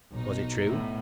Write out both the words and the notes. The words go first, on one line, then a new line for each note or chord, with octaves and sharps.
"Was it true?"
B1 D#4
A2 B3